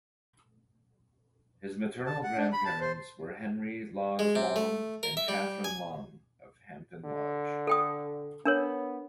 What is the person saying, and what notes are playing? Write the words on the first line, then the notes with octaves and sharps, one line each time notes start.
His maternal grandparents were Henry Lawes Long and Catharine Long of Hampton Lodge.
A5
F#5
D4
B5
A5
C5
G#3
C3
A3
A#4
E5
G3
G#5
D3
A4 G5 D#6
B3 D4 A#4 C#5